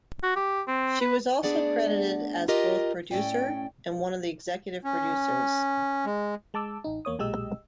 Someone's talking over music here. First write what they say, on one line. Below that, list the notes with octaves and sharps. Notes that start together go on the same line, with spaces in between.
She was also credited as both producer and one of the executive producers.
F#4
G4
C4
B4
A3 B3 D4 G#4 D5 F#5
F4 G4 A#4 D#5
A2 C#4 D5 G5
C#4
G#3
G#3 A5 D6 E6
A1 D#4
E2 A#3 C#5 D#6
B1 A#2 G#3 G4 D#5 E6